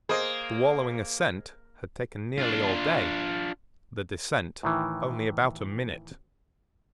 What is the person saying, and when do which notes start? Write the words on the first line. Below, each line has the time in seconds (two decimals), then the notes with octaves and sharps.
The wallowing ascent had taken nearly all day, the descent only about a minute.
0.09 A#3 G#4 C5 D#5
2.38 D4 F4
4.63 A2 D#3 E3